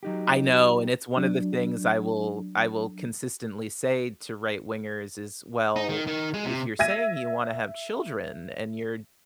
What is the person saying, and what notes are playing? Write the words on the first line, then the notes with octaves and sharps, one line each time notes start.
I know, and it's one of the things I will I will consistently say to right-wingers is, "Well, if you're saying you wanna have children and you're
F#3 D#4 G4
F#3 D4
D#4
D#3
D#3
G#3
C3
E5 G#6 A#6 D#7